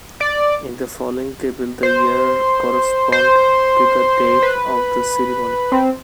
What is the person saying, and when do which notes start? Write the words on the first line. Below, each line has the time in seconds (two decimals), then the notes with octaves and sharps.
In the following table, the years correspond to the date of the ceremony.
0.21 D5
1.83 C5
3.12 C5
4.43 B4
5.72 C4